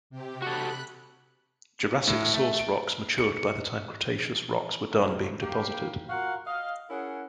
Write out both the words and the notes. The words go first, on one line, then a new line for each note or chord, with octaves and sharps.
Jurassic source rocks matured by the time Cretaceous rocks were done being deposited.
C3 G4
F#4 A4 B5 F#6
A2
A3
D7
C#7
C3 F#3 G3 A3 A#3
A#3 G4
F4 F#4 A#4 F5 F#5
D#5 F5
C#4 E4 G#4 A#4 F#5